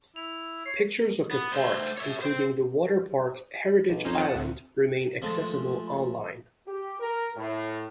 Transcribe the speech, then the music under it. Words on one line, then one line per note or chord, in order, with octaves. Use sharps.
Pictures of the park, including the water park Heritage Island, remain accessible online.
E4 F7
C#5 C7
B3
A3 C5
C#5 E5
C5 G5
B1
F2 C#4 D#4 C5
F#5 A5
D2 C3
F3 G#3 A3
G4
A#4
A2